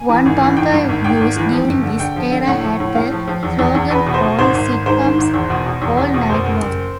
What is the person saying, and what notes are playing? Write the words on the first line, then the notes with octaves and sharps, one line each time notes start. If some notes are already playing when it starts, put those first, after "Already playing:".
One bumper used during this era had the slogan "All Sitcoms, All Night Long".
Already playing: G#5
E3
G#1
E3
G#1 G5
G2
G#1
G#1 G5
G#1
E3
F3
G1
D3
D3 G5
F3
D3
A2 F#5
F3
A2
A2 F5
F3
F3
E2
E2
E2
E2 B4
B2
C5
B2
G#1 C5
G#1
G#1
G#2 C5
D#3
G#1
E2
B2
B2
E2
E2
B2
F#1 C5
F#1
F#1